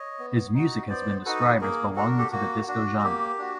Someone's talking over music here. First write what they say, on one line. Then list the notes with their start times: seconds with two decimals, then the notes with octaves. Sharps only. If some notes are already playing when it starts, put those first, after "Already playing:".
His music has been described as belonging to the disco genre.
Already playing: C#5 D#5
0.19 B3
0.54 D#4 F#4
0.89 B3 C5 D5
1.25 D#4 F#4 A4 B4
1.61 A#3 G#4 A#4
1.96 D4 F#4 A4
2.07 A#4
2.18 G4 A4
2.32 A#3 F#4
2.67 D4 F#4
2.98 F#4
3.03 A#3 G4
3.38 D4 F#4